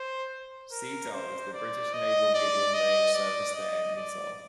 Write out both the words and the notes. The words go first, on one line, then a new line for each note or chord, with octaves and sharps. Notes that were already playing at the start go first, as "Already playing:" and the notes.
Sea Dart was the British naval medium-range surface-to-air missile.
Already playing: C5
A#4
C5
D5
D#5
D5
D#5
D5
D#5
D5